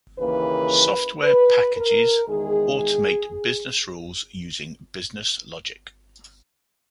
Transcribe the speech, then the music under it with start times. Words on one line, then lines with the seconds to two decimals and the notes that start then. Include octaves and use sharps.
Software packages automate business rules using business logic.
0.19 D#2 C#3 E3 A#3 B4
1.24 B4
1.76 A#4
2.28 E2 D#3 G#3 G#4